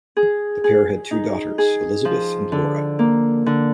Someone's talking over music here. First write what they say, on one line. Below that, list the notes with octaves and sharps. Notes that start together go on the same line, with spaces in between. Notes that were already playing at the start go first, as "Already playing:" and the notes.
The pair had two daughters, Elizabeth and Laura.
G#4
G#4
D#4
G#4
F3
D3
A#3
D3